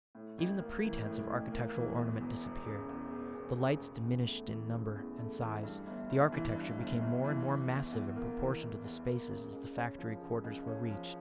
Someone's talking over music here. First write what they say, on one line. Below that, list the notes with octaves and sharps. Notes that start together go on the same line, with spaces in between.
Even the pretence of architectural ornament disappeared, the lights diminished in number and size, the architecture became more and more massive in proportion to the spaces as the factory quarters were reached.
A2
A1
A#3
E3
A2
A1
A#3
E3
E2
E1
E1
C#3
E2
E1
E1
C#3
C#3
E2
A3
E3
C#3
E2
A3
E3
G2
G1
G1
E3
G2
G1
G1
E3
E3
E2
E2
A#3
E3
E2
E2
A#3
C#3
C#2
C#4
F3
C#3
C#2
C#4
F3